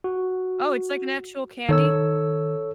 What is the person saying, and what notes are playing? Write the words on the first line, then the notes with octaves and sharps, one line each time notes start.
Oh, it's like an actual candy?
F#4
D#3 A4 C#5 E6